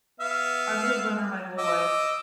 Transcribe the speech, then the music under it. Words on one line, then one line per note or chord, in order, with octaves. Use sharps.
I was a runner my whole life.
B3 E5 F5
D#5 D6 E6